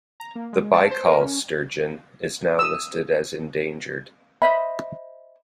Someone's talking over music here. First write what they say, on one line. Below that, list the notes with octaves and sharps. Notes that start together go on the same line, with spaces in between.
The Baikal Sturgeon is now listed as endangered.
A#5
A#3
G#3
A5
C5
A#4
C#4
D#6 E6
C5 D#5 E5 B5